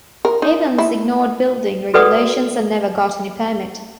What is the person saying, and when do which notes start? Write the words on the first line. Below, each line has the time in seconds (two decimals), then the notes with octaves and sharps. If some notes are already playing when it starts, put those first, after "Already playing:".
Havens ignored building regulations and never got any permit.
0.25 A#4
0.42 D#4
0.78 E4
1.94 F#4 A4 B4 D5 F#5 D#6